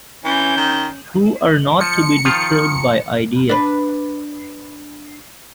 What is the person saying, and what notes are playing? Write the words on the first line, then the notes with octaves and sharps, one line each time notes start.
Who are not to be disturbed by ideas.
E3 C#4 G6
D#3
F3 C#7
D#3 F3 F4
D4 B4